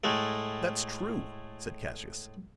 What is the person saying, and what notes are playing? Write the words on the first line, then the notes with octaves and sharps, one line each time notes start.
"That's true," said Cassius.
A2 G#3 A3